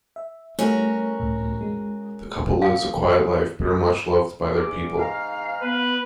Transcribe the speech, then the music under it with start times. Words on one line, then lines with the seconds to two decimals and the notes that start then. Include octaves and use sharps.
The couple lives a "quiet life" but are much loved by their people.
0.16 E5
0.59 G3 A3 C#4 E4 F#4 A#4
1.20 C#2 A2
1.61 G#3
2.62 F5
4.55 E2 D6
4.98 G#2 F5 A#5 F6
5.62 B3 B4